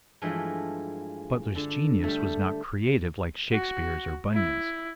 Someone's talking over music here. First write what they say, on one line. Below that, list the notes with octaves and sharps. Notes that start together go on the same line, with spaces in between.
Butler's genius was not creative like Shakespeare's or Bunyan's.
G2 E3 F3 G#3 A3
D3
G3 A3
F#4
E4